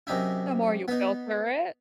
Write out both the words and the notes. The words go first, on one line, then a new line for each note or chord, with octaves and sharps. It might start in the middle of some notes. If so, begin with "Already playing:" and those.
The more you filter it?
F#2 C3 D#4 E4
B3 D#4